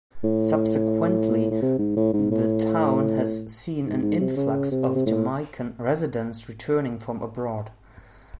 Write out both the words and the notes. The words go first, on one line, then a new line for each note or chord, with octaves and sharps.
Subsequently, the town has seen an influx of Jamaican residents returning from abroad.
A2
A2
C3
G#2
A2
G#2
A2
G#2
G#2
C3
C#3
C3
C3
A2